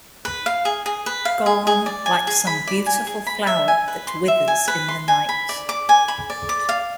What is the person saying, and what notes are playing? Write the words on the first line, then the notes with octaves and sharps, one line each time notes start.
Gone like some beautiful flower that withers in the night.
B4
F5
G#4
G#4
B4
F5
G#4
G#4
D5
G#5
G#4
B5
D5
G#5
G#4
B5
E5
G#5
B4
C6
E5
G#5
B4
C6
G#5
B5
D5
D6
G#5
B5
D5
D6
F5